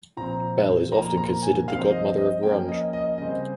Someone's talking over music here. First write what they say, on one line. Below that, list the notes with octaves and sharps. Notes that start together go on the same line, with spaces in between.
Bell is often considered the "Godmother of Grunge".
A#2 F3 C4 A#5
A#2 F3 A#3 A#5
A#5
G#5
F3 C4 F5
D#5
D#5
F3 A#3 C#4 G5
D#5
D#5
C#3 G3 C4 D#5